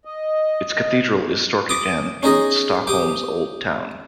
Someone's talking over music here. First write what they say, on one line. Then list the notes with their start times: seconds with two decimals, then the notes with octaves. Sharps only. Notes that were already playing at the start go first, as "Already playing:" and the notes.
Its cathedral is Storkyrkan in Stockholm's old town.
0.05 D#5
1.69 D6 D#6
2.23 C#4 D#4 G#4 D#5
2.87 G4 D#6